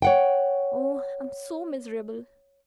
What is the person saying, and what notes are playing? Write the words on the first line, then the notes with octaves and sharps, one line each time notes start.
Oh, I'm so miserable.'
C#5 F#5 G5